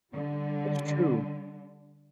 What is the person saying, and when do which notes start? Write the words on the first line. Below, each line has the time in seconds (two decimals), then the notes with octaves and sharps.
That's true.
0.12 D3 G3